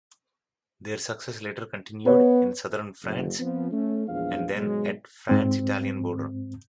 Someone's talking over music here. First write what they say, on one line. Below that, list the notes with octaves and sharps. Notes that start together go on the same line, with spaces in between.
Their success later continued in southern France and then at the France-Italian border.
B3 B4 C#5
F#1
F3 B3 C4
A3 C#4
A#1 E2 F3 G#3 D4 F5
G#2 B2 F#3 G#3
G#2 C4